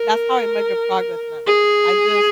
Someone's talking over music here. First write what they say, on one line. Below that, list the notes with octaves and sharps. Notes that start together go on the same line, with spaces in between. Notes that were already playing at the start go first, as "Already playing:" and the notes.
that's how I measure progress now. I just
Already playing: A#4
G#4